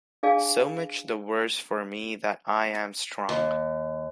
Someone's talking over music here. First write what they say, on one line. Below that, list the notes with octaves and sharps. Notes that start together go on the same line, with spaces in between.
So much the worse for me that I am strong.
D4 G#4 D5 F5 G#5 A5
D#2